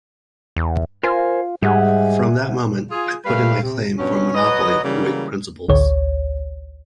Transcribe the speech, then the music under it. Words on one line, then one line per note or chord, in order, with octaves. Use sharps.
From that moment I put in my claim for a monopoly of Whig principles.
E2
F4 A#4 C5 G#5
G#2 G3 G4 G#4 E5 F#5 G#5
F4 G#4
G3 A3 B4 F5
C3
G2 B2 F#3 C#4
F#3 B4 D#5
C#3 E3 F#3 G3 A#3
A1 D2 C#5